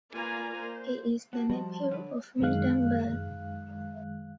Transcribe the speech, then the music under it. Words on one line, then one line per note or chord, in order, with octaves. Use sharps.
He is the nephew of Milton Berle.
A#3 F4 B4 D5 G#5 A#5
A#3 C5
B3 F#4 G4 A5
F3 G3 F#4 D#5
D3 B4 C#5
F#2 D#3 G#3 F5 F#6